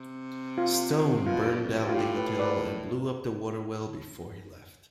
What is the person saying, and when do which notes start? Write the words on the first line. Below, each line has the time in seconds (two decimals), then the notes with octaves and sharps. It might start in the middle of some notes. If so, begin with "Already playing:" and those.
Stone burned down the hotel and blew up the water well before he left.
Already playing: C3
0.58 F4
1.26 B2 F4
1.43 G2
1.60 F2
1.77 G2
1.89 F4
1.94 A2 G4
2.17 B4
2.39 B4 D5